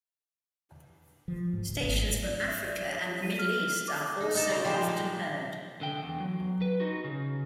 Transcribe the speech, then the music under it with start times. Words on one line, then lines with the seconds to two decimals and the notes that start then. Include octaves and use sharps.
Stations from Africa and the Middle East are also often heard.
1.28 F3
1.53 G#2
1.69 C#2
1.83 G#1
2.24 D5
2.48 E5
2.64 D5
2.90 C#5
3.22 D#7
3.39 F6
3.88 D6
4.20 D#4
4.35 D#4 A4 A5
4.49 C#3 A#3 A#4 C5
4.64 A#2 F3 G3 G#3 G4
4.88 A#3
5.81 D3 G5
6.03 E2
6.20 F#3
6.62 B4
6.80 D#4 F#4
7.04 C#3